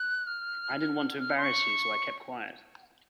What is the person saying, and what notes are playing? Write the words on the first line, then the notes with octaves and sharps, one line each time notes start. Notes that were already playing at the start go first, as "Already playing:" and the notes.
I didn't want to embarrass you so I kept quiet.
Already playing: F#6
F6
F6
C6
C#6